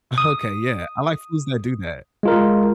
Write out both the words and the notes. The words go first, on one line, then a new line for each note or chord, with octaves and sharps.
Okay. Yeah. I like foods that do that.
D#6
G#3 F4 A#4